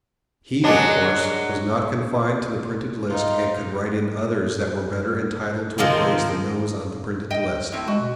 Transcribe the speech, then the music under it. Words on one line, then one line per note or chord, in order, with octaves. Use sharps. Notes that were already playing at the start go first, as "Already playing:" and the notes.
He, of course, was not confined to the printed list and could write in others that were better entitled to a place than those on the printed list.
F#3 G#3 D4
D#4 F4
D#3 F3 G#3 C4
D#5 G5
A2 C4
G#3 F#4
B2